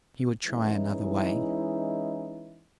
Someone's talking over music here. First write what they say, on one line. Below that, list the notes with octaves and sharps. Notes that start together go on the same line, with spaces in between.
He would try another way.
E3 G#3 C#4 D#4 E4